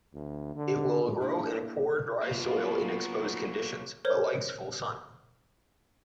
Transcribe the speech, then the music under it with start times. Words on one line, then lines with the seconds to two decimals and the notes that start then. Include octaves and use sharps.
It will grow in poor dry soil in exposed conditions, but likes full sun.
0.14 D2
0.56 D3
1.21 A#3 D4 E4 G#4
2.23 A#2 F#3 A#3 B3 F4
4.05 A#4 C5 C#5